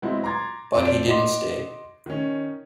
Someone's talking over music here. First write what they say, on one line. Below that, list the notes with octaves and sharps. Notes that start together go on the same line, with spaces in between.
But he didn’t stay.
F#3 G#3 B3 C4 E4
A#5 C6 D6 G#6 A6
F2 C5 D5 D7
D#5 F#5 C6 D6
D#3 C#4